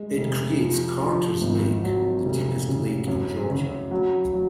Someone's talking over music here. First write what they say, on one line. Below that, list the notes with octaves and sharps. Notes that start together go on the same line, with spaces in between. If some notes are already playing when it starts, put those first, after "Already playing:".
It creates Carters Lake, the deepest lake in Georgia.
Already playing: G#3
F1
F3
F3
G#1
F#3
F1
C#3
F#2
C#3
F#3
F#3